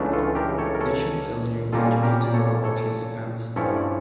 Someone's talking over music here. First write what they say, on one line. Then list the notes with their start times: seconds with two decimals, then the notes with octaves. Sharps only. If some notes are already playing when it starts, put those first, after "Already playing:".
This should tell you all you need to know about his defense.
Already playing: C#2 C#3 E3 A3 D4
0.13 F4 A4
0.35 G4 A#4
0.58 A4 C#5
0.75 A#4
0.81 A4 C#5
1.73 A#2 G3 A#3 C#4 F4 A4
2.03 G4 A#4
2.24 D5
2.34 A4 C#5
2.64 A4 C#5
3.56 G2 F3 C#4 E4 A4 C#5
3.76 D5